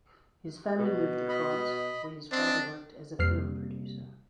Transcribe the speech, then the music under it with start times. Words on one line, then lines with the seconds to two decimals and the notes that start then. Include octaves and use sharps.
His family moved to France, where his father worked as a film producer.
0.79 B2
1.29 D#5 B5
2.32 C4 D4 D#5
3.19 F2 C3 G3 A#3 F6 C7